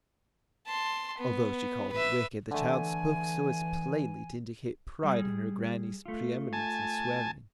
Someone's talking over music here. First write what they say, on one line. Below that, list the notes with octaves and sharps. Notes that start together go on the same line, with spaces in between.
Although she called her wicked, the child spoke so as plainly to indicate pride in her grannie's pre-eminence in swearing.
A5 C6
B3
B4 E5
D3 E3 A3 G#5
G3 G#4
A3 F4
G#5 A5